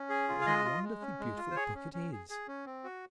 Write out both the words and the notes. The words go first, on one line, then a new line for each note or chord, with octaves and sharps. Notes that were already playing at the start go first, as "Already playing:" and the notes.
But what a wonderfully beautiful book it is!
Already playing: C#4
G#4
F4
F5
G#3 D#5
F4
G#3
C#4
G#3
F4
C5
G#4 C#5
C#4
C#4
G#4
G#4
C#4
C4
F#4